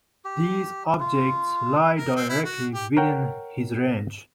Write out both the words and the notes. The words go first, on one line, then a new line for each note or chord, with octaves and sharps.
These objects lie directly within his range.
G4
F4
A#4
C4
E4
F#4
G4
A#4 C#5 F#5 G5